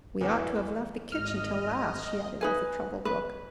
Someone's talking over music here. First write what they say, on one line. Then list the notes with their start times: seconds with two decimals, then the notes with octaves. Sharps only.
"We ought to have left the kitchen till last," she added with a troubled look.
0.21 E2 E3
1.12 G#1 D#5 F6
2.41 D#4 B4 G#5
3.05 B4